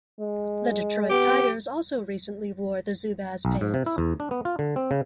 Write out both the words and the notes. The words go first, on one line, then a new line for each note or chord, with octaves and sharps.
The Detroit Tigers also recently wore the Zubaz pants.
G#3
B3 G4
B1
G#2
C3
E4
E2
D4
B3
F4
D3
C4
C#3